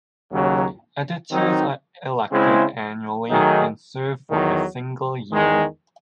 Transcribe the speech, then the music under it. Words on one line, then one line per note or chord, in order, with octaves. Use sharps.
Editors are elected annually and serve for a single year.
D#2 C#3 F#3
D#3 F#3 C4 D#4
C#3 G#3 C4 E4 C5
D#3 F#3 A3 D#4 G#4
E2 D#3 F#3
E2 D#3 G#3